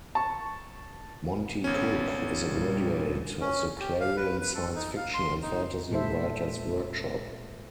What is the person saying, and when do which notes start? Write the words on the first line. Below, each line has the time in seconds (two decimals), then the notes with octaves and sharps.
Monte Cook is a graduate of the Clarion Science Fiction and Fantasy Writer's Workshop.
0.15 A5 C#6
1.64 G#1 B3 C#4
2.45 A#2 G3
3.41 C#4
3.80 G4
4.01 F5
4.17 B4
4.42 B4
4.55 A4
4.75 D#4
4.97 F5
5.14 C6
5.43 D#4
5.91 A#2 G#3 A4 C5 E5